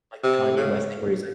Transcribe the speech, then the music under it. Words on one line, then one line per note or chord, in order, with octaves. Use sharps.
like the Kanye West thing where he's like,
C3
C#3